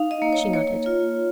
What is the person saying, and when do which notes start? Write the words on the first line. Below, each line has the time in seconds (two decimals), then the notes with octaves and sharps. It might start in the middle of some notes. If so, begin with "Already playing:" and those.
She nodded.
Already playing: D#4 F5
0.11 D#5
0.22 A#3
0.33 C#5
0.53 A#3 C#5
0.86 F4